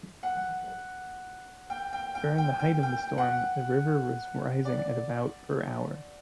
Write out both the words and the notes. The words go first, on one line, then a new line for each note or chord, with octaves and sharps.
During the height of the storm, the river was rising at about per hour.
F#5
G5
G5
G5
G5
G5
G5
F#5
D5